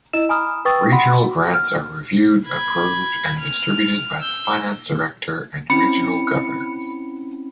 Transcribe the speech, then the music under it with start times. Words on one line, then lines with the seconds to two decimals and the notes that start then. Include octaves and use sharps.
Regional grants are reviewed, approved, and distributed by the Finance Director and Regional Governors.
0.13 E4 D#5 E6 E7
0.29 G#5 A#5 B5 D#6 F6
0.65 B4 G5 C#6 D#6 E6 A6
0.92 F#5 B5 C6
1.23 F#4
1.54 F6
2.47 B5 G#6
3.39 F6
4.20 E6 G6
5.70 C4 C#4 E4 B5 C#7